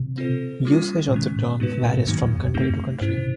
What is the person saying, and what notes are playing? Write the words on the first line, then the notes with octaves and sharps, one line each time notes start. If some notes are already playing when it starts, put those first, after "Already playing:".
Usage of the term varies from country to country.
Already playing: C3
C4 F4 A4 C5
G3 A#3 C#4 F4
B2
A#2 D#3 G#3 C#4
A2
A2 G#3 B3 D#4 F#4 B4
A#2
A2
G#2 D#3 F#3 A#3 D#4
F2
F#2
F2
F#2 A3 C4 D#4 G4
G2 C#4 E4 G4 C5
C3